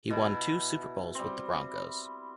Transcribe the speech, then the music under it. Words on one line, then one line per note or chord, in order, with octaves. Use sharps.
He won two Super Bowls with the Broncos.
B2 E4
G3 C4